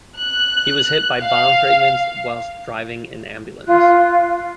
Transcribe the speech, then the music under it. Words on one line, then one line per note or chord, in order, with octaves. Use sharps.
He was hit by bomb fragments whilst driving an ambulance.
F#6
F5
F4 F#6